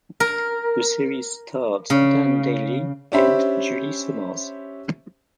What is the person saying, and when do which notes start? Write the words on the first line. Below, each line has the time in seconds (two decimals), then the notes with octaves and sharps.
The series starred Dan Dailey and Julie Sommars.
0.20 A#4
1.90 C#3
3.12 C#4 D4 G4 C5 E5 B5